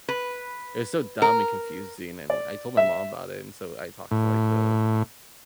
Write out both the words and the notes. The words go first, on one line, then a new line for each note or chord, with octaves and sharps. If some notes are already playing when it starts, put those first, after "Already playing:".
it was so dumb and confusing, and I told my mom about it, and so I talked to, like, the
B4
A#4
D5
E5
A2